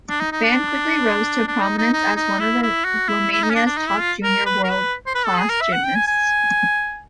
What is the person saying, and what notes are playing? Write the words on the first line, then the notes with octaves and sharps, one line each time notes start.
Ban quickly rose to prominence as one of Romania's top junior world-class gymnasts.
D4
D#4
D#4
D4
D4
D#4
D#4
D#4
D#4
E4
E4
F#4
E4
E4
D#4
C#4
D4
D4
D#4
E4
F4
A#4
B4
A#4
B4
C5
B4
A4
G#4
A#4
E5
F#5
G5
G#5
G#5